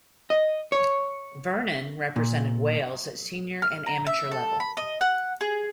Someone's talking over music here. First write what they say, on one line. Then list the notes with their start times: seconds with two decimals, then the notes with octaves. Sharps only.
Vernon represented Wales at senior and amateur level.
0.30 D#5
0.72 C#5
2.16 A#2
3.62 F6
3.86 A#5
4.07 E5
4.31 A4
4.60 B5
4.77 D#5
5.01 F#5
5.41 G#4